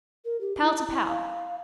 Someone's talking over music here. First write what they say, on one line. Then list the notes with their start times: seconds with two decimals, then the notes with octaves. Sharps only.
Pal to pal.
0.25 A#4
0.41 G4
0.61 E4
1.09 F5